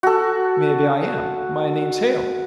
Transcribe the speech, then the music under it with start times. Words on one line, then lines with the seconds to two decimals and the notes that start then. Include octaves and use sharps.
"Maybe I am--my name's Hale."
0.03 F#4 A4